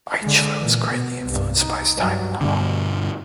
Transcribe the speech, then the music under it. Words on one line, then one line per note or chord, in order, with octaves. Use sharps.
Eichler was greatly influenced by his time in the home.
D3 G#3
A#2 E3
B2 B3
C2 G2
D#4
G2 F#3
G2 B2 D3